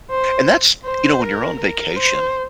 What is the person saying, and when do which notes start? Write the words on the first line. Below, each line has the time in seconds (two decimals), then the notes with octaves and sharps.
And that's you know, when you're on vacation
0.11 C5
0.85 C5
1.22 A#4
1.60 A#4
1.96 C5